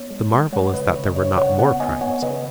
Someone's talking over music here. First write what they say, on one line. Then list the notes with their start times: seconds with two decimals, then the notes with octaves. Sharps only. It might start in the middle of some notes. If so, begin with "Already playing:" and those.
The marvel is that there were not more crimes.
Already playing: B3 C#5
0.10 G#3
0.32 G#3
0.53 G#3 C#5 F#5
0.74 C#3 B4 D#5
0.95 C#3 C#5
1.06 D#5
1.16 C#3 C#5
1.37 C#3 C#5 F#5
1.59 B3 C#5 F#5
1.80 B3 D#5 G#5
2.01 B3 C#5 F#5
2.22 C#3 B4 D#5